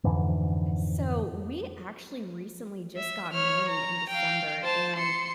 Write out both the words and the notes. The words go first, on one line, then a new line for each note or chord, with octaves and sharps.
So, we actually recently just got married in December, and
F2 G#2 D3 E3
E5
C#5 F6
A#5
F5 G5
C5 A5
C6 C#7